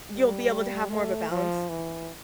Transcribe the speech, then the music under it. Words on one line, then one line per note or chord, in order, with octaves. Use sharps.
you'll be able to have more of a balance.
G3
A3
F3
E3